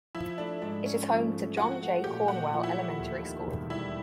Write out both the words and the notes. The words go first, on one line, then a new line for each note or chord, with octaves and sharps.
It is home to John J. Cornwell Elementary School.
F3 E4
A3 D4
G#2 D4
C#4
F3
A3
F3 F#4
A3
A#2 G4
A#2 F#4
F3
E4
A3
D#2
D#3
E1
G3 E4